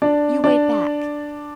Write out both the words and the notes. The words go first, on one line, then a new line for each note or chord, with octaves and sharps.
You wait back.
D4 D5
D4 D5